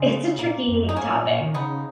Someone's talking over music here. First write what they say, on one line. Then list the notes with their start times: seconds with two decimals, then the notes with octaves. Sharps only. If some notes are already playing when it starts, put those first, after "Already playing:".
it's a tricky topic,
Already playing: C#3 G#3
0.39 A#2 A#3
0.68 F2
0.82 F#2
0.89 D#4
0.96 G#2 A#3 C#4
1.11 A#2
1.25 A#2
1.41 D#3
1.54 C#3 B3 D#4